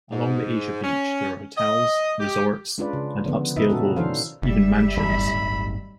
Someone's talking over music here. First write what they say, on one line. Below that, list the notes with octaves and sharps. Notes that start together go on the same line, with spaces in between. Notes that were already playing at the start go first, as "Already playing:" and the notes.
Along the Asia Beach there are hotels, resorts, and upscale homes, even mansions.
G#2
C#4
D#5
G4
G#3 C#4 D4 F4 B4 D5
C#3
D3 F3 B3
B2 D#4 B4 D#5 E5
A#2 C#4 F#4 A4
D#3 D4 E4 A4 C5 F5
F#1 G3 E5
D1 G1 D#3 B5